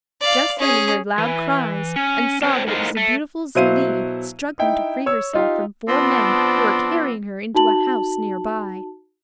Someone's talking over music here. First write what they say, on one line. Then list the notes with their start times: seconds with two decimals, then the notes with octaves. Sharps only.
Just then he heard loud cries, and saw that it was the beautiful Zelie struggling to free herself from four men who were carrying her into a house near by.
0.21 D5 F5
0.59 C#4 G#4
1.18 E3
1.96 C#4
2.42 C4 D4 A#4 C5 C#5
2.67 A2 A#3 D#4 C5
2.97 A3
3.55 B2 F#3 E4 C5 F5 D#7
4.59 D#4 E4 G5
5.06 C#5 E6
5.33 D#4 F4 G4
5.88 F3 B3 C4 D4
7.55 D#4 F#4 A5 F#7